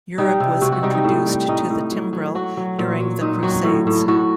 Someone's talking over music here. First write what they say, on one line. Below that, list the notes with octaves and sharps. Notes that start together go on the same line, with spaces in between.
Europe was introduced to the timbrel during the crusades.
G3 D#4
C3
C3 F#4
F#4
G3 D#4
D#4
A2
G3
A2 D#4
A2
F#3
F#3
F#3 F#4
F#3
A#2
F#3
A#2 D#4
F#3 F#4
A2
A2
A2 F#4